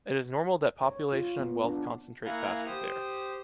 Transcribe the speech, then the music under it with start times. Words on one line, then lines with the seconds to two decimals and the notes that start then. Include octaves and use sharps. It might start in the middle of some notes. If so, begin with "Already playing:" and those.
It is normal that population and wealth concentrate faster there.
0.83 C#5
1.12 F4
1.39 B3
1.64 D4
2.26 A#3 E4 F5 F#5 G#5 A#5
2.66 G4 C5 D#6